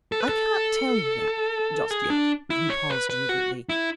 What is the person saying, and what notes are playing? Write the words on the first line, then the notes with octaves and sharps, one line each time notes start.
"I cannot tell you that--just yet." He paused deliberately.
A4
B4
A4
G#4
D4
E4
C#5
B4
B4
F#4
E4